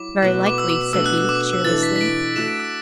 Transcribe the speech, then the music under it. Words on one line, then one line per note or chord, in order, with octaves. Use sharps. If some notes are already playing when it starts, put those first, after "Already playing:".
"Very likely," said he cheerlessly.
Already playing: F#3 E4 D6
B2 A3 F#4 B4
D6
E6
D6
D6
B2 A3 D4 A4 E6
F#6
E6
D6
D6
E6
E3 D4 A4 A6
A6
B6
B6
D7
A3 F#4 A4 E7
D7
E6